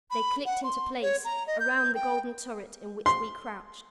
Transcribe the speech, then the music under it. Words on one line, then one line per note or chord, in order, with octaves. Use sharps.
They clicked into place around the golden turret in which we crouched.
B5
F#5
C6
C#5
A#5
D#5
G6
G5
C6